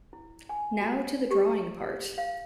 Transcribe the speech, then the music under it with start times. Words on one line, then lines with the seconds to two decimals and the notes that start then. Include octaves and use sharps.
Now to the drawing part.
0.13 E4
0.49 G#5
0.81 F#4
1.31 G4
2.18 F5